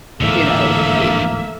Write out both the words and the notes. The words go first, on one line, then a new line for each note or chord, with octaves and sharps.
you know, it
D1 G#2 D3 E3 F3 A#3 A4 E5